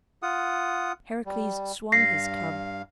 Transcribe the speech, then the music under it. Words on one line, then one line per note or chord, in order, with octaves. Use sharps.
Heracles swung his club.
F4 F#5 D#6
G3
G2 F5 A#6 C7